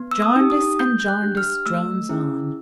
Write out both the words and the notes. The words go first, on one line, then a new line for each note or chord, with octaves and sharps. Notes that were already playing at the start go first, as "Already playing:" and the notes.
Jarndyce and Jarndyce drones on.
Already playing: B3
E6
D#6
D#4 G4
D#6
A3 G6
G6
F#6
D4 G4
F6
A3 E6
C#4 E4 G#4